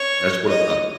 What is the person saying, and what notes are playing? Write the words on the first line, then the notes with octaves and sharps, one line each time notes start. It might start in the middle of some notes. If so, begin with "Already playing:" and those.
That's what I've done.
Already playing: C#5
D#5